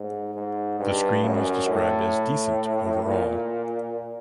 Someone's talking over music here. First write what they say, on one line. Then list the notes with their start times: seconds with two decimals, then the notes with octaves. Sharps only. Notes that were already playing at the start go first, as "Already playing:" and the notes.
The screen was described as "decent" overall.
Already playing: G#2
0.35 G#2
0.79 G2
1.25 F#2
1.69 A2
3.05 A#2